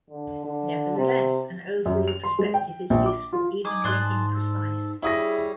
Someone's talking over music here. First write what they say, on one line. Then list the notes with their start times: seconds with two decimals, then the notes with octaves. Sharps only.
Nevertheless, an overall perspective is useful even when imprecise.
0.10 D3
0.45 D3
0.97 C3
1.85 F#2
2.08 F7
2.24 C6
2.39 G#3
2.54 G5
2.90 A#1
3.06 D6
3.33 F4
3.65 D#4 G#5 D6
3.84 G#2 D5 C6 F#6
4.00 G#4 A5
4.34 A4
5.02 G3 E4 G#4 C#5 D#6 A#6